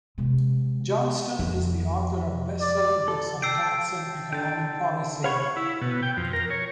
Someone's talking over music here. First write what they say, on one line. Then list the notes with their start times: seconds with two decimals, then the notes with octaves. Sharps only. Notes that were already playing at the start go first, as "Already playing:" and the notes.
Johnston is the author of best-selling books on tax and economic policy.
0.18 C3 G#3
1.39 F2
2.61 D5
3.08 A4
3.42 G5 A5 E6 C7 D7
4.33 D3 G5 A5
5.24 C#5 F5 F#5 B5 C#6 G#6
5.56 E4
5.81 B2
6.03 G5
6.17 F2
6.33 A#4
6.50 C#5